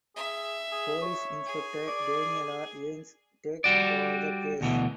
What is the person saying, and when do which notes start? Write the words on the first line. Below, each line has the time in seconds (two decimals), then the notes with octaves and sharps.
Police inspector Daniela Yanes takes over the case.
0.16 G#4 E5
0.72 G#4
1.02 C#5
1.46 G#4
1.88 D5
3.64 G3 F#4 D5
4.61 D2 B2 E3